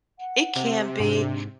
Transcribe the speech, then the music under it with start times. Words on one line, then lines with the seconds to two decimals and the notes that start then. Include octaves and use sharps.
It can be,
0.19 F#5
0.55 C3
1.00 G#2 D4